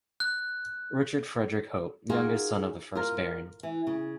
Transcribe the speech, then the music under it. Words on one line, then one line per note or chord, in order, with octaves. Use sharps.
Richard Frederick Hope, youngest son of the first Baron.
F#6
D#4 F4 F#4 G#4 A#4
F4 A#4
E3
C#3